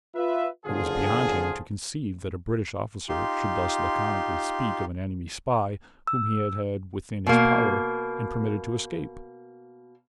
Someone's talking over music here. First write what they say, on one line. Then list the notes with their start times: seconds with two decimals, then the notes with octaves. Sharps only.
It was beyond him to conceive that a British officer should thus laconically speak of an enemy spy whom he had had within his power and permitted to escape.
0.15 F4 B4 E5
0.66 F#1 D3 F3 F4 G#4
3.09 D#4 F4 G4 C6
6.07 E6
7.27 B2 A#3